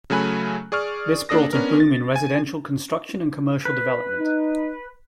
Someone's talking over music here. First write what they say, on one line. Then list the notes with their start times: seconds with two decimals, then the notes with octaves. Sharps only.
This brought a boom in residential construction and commercial development.
0.10 C#3 F#3 A3 G#5 B5 F#6
0.72 G#4 D5 C#6 F6
1.29 A#3 D4 A4 D#6 A#6
1.53 B3 C#4 D4 A#4
1.80 A6
2.16 G#5
3.65 B4
4.19 D#4